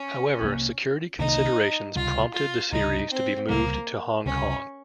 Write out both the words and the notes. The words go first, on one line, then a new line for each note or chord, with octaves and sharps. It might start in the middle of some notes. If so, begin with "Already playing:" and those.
However, security considerations prompted the series to be moved to Hong Kong.
Already playing: C#4
C2 C3 D#3 A#3
C2 C3 D#3 A#3 D#4
C#2 C3 G3 F4
F4
C#2 C3 G3 D#4
C4
C#2 C3 G3 A#3
C#2 C3 G3 C#4